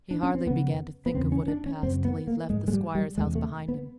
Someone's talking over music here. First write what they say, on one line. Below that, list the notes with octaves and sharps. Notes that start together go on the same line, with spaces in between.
He hardly began to think of what had passed till he had left the squire's house behind him.
D4
C#4
C4
F2 C#3 B3
B3
E2 C#3 C4
C#4
D4
C#4
F#2 C#3 C4
B3
A#3
G#2 G#3
G#3
G3
G3
E2 C3 G#3
A3
B3